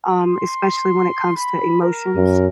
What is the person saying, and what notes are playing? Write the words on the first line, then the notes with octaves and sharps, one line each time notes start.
um, especially when it comes to emotions.
C6
B5
A#4
F#2